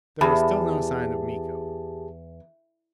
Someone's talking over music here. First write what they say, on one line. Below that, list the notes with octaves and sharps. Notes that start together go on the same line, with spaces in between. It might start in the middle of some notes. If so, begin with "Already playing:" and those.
There was still no sign of Miko.
E2 G4 G#4 A5